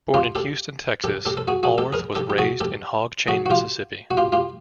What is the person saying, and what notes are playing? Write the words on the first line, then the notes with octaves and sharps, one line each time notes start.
Born in Houston, Texas, Alworth was raised in Hog Chain, Mississippi.
F4 G4
G4 A4
G4 A4
G4 A4
A4
F#4 G#4
F#4 G#4
G4 A4
G#4 A#4
G4 A4
G4
F#4 G#4
G4 A4
F#4 G#4
F#4
F4 G4
F#4
F4 G4
F4 G4